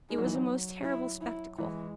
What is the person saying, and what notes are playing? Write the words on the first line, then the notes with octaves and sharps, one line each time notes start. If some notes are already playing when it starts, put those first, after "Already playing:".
It was a most terrible spectacle.
G#3 D#4
F#3
E3
F#3
E4
E4
E3 G#3